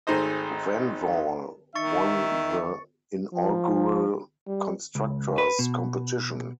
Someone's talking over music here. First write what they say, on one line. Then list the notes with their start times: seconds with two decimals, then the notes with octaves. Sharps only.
Vanwall won the inaugural Constructors' competition.
0.07 G#1 A3 D#4 G#4 C5 D#5
1.75 D#3 D#4 E5 C#6 A6 C#7
3.33 F3
4.47 G3
4.95 C#2
5.38 B4
5.59 B2